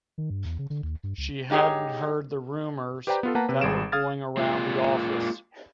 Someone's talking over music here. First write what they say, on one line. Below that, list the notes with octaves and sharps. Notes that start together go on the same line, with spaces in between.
She hadn’t heard the rumours that were going around the office.
D#3
G2
E2
C#3
D3
D#2
G2
C#2
G#2 D#4 G4 G#4 C#5
G4 B4 C5 D5 G5 A#5
B3 F4 A4
A#3 B4 F#5 A5 A#5
C3 B4
G#1 G3 G#4 D7 E7
F5 D#6 F6 G#6 A6
G#3 A#3 F4